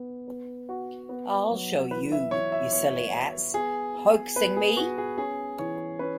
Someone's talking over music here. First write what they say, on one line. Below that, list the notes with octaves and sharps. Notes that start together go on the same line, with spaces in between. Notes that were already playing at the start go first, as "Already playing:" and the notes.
I'll show you, you silly ass — hoaxing me!
Already playing: B3
B3
F#4
B3
F#3
E3 B4
E5
E3 C#5
E5
B3 C#5
F#4
B3 G#4
B3
B3 B4
G#4
B3 F#4
G#4
C#4 G#4
E3 C#5
C#4 B4